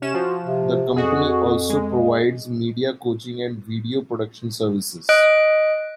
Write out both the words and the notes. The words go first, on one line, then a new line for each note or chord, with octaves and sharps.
The company also provides media coaching and video production services.
C3 C#4 E7
F3 F#4
C3
F2 F#4 G#4
G#3
D#5 F#6 D7